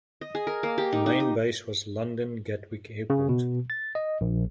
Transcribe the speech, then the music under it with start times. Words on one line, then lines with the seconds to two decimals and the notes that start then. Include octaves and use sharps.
The main base was London Gatwick Airport.
0.21 D#5
0.35 G#4
0.47 A#4
0.63 A#3
0.78 G4
0.93 D#4
1.06 D#4
1.20 D#5
3.10 C#3
3.29 B2
3.70 A6
3.95 D#5
4.21 A#1